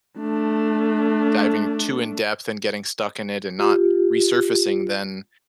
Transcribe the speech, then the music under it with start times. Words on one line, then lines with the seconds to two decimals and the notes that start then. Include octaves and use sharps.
diving too in-depth and getting stuck in it and not resurfacing, then
0.19 A3 D4
3.59 F4 G4